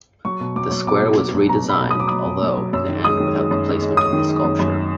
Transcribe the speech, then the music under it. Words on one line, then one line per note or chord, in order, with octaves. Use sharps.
The square was redesigned although in the end without the placement of the sculpture.
F#3 C#6
B2
F#3 D6
F#3
B2 D6
F#3
F#3 D6
F#3
B2 A#5
B2 B5
B2
D#6
F#3 D6
F#3 D#6
B2
F#3
F#3
F#2 E6
D#3
G#3 D#6
D#3
G#3
F#2
G#3
G#3
G#3 D#6
D#3
G#3
F#2
F#2